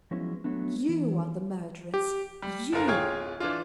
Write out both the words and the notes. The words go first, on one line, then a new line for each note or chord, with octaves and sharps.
You are the murderess--you!
F3 F#3 G#3 B3 C#4 E4
F#3 A3 B3 D4
E3
G4
G3
F#1 D3 F4 A#4 F6
D1 F4 G#4 C#5 G5 G#6
E3 D4 F4